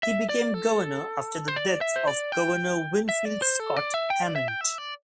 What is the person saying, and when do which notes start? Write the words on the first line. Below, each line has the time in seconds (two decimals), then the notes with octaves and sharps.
He became governor after the death of Governor Winfield Scott Hammond.
0.03 E5
0.29 D5
0.54 A4
1.48 C5
1.56 D5
1.81 E5
1.96 C5
2.07 D5
2.32 G5
3.09 E5
3.25 D5
3.42 C5
3.60 A4
3.77 D5
3.94 E5
4.10 G5
4.23 D5
4.36 E5
4.48 G5
4.61 E5
4.78 D5